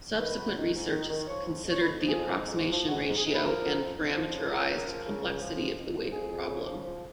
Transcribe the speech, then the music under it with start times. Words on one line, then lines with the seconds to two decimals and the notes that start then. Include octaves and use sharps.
Subsequent research has considered the approximation ratio and parameterized complexity of the weighted problem.
0.19 D#3 B4
0.38 F#3
0.56 D#3
0.74 G#2
0.91 D#3
1.10 D#3
1.27 F3 C#5
1.46 F2
1.64 F2
1.71 C#5
1.81 F2 B4
2.00 F3
2.09 G#4
2.17 F2
2.35 G#2
2.53 G#2
2.72 F3
2.89 G#2 F#4
3.08 G#2
3.16 G#4
3.25 G#2
3.34 B4
3.44 F3 A#4
3.61 F2
3.79 F2
3.97 F2
4.15 F3
4.33 C#3
4.51 C#3 A#4
4.68 C#2
4.78 A#4
4.87 F3
5.04 C#3
5.22 C#2
5.41 F3
5.59 F2
5.76 F2
5.95 F3
6.12 F2 G#4
6.30 F2
6.49 C#3
6.66 F3
6.85 F3